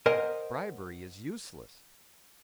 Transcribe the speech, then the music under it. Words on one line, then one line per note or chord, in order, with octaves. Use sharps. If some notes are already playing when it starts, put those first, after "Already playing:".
Bribery is useless!
A#4 C5 D#5 F#5 G#5